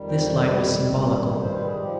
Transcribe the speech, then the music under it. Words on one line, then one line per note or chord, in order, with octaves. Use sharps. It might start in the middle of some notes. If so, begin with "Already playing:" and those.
This light was symbolical.
Already playing: F2 D#3 G3
G5
G2 D#3 G3
C5
B4
G#4
F3 G4